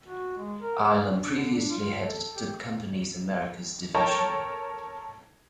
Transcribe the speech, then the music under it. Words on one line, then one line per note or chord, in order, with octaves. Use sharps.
Eilam previously headed the company's Americas division.
F#4
G#3
A#4
G#4
D4
D3
D4
F4
A4
G4
A4 A#4 C#5 G5 A5 C#6